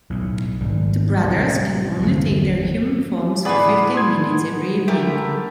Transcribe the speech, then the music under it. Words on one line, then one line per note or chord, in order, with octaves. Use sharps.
The brothers can only take their human forms for fifteen minutes every evening.
B1 A2
G#1 G3
C2 A2
G1 E2 C3
A2 B3 G#4 B4 D5 B5
C6 D#6 G#6
A3 G4 A#4 A5